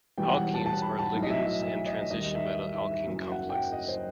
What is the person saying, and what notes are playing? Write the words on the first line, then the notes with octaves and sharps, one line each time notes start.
Alkenes are ligands in transition metal alkene complexes.
E1 E2 B2 G3 G5
F#5
A5
A5
B5
A5
B1 A2 F#3
D#5
E5
E5
E5
D#5
D#2 D#3 G3 D#5
E5
E5
E5
E5
F#1 F#2 F#3 E5
F#5
G5
F#5
D#5
C5